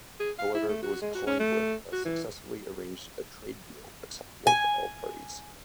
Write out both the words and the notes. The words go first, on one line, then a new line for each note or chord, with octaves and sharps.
However, it was Collingwood that successfully arranged a trade deal acceptable to all parties.
G#4
F5
E4
A3
F#4
G#3
F#4
C#4
A3
F#4
E3
G#5